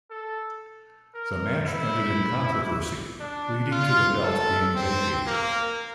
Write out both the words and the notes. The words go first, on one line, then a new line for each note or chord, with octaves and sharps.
The match ended in controversy, leading to the belt being vacated.
A4
A#4
E4
D4
F4
A4
C4
A#3